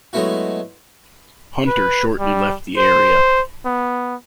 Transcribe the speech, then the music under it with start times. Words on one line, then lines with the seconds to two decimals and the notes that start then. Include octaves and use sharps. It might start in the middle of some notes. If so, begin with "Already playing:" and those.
Hunter shortly left the area.
0.13 F#3 G#3 A3 B3 E4 F#4
1.67 B4
2.19 G3
2.78 C5
3.65 B3